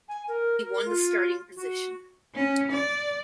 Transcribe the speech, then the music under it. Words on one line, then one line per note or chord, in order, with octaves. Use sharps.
He won the starting position.
G#5
A#4
A#4
F4
F#4
C#4
D5